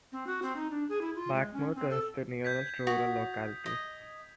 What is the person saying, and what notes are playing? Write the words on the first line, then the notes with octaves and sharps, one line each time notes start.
Bakhmut is the nearest rural locality.
C4
F#4
C4
D#4
D4
G#4
E4
F4
G#3
C#4
C4
A4
G6 G#6 B6
F#4 D#6
D#5